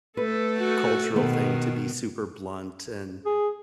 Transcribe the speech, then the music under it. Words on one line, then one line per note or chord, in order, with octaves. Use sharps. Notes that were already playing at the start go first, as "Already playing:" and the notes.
cultural thing to be super blunt and
A3 A4 B4
F#4
B2 D#3 B3
G#4